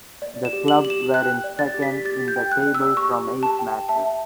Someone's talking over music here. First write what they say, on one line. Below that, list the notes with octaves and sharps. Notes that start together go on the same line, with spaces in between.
The club were in second in the table from eight matches.
D5
E7
G4
F#7
G4 F#7
E7
G5 F#6
D5
A6
G4
B6
G4 A6
G6
G5
F#6
D5
E6
G4 C#6
G4
A5
G5
E5 A5